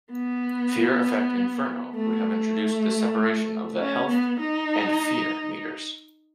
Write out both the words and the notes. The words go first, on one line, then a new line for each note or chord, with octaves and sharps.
"Fear Effect Inferno" would have introduced the separation of the "Health" and "Fear" Meters.
B3
A3
C#4
B3
D#4